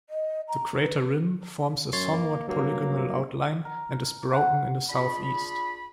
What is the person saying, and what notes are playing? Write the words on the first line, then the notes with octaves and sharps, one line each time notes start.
The crater rim forms a somewhat polygonal outline, and is broken in the southeast.
D#5
A#5
B4
F#2 C#5 C6 A6
A#3
G2 F#3 A#3
A#4
F#5
D4 F4 G#4 B5